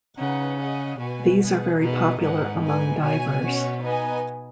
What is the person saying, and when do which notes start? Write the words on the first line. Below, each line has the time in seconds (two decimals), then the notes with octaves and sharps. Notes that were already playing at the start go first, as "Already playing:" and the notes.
These are very popular among divers.
0.18 C#3 D#4 B4 F#5
0.59 G#4 D#5 F#5
0.99 B2 F#4 B4 G#5
1.39 B3 G#4 B4 F#5
1.80 B2 D#4 G#4 B4 D#5 F#5
2.21 G#2 D#4 B4 F#5
2.61 D#4 B4 G#5
3.01 B2 F#4 C#5 G#5
3.42 C#4 F#4 C#5
3.82 B3 D#4 B4 D#5 G#5